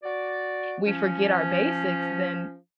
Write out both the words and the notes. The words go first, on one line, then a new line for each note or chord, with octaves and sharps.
we forget our basics, then
F#4 D5
F3 C#4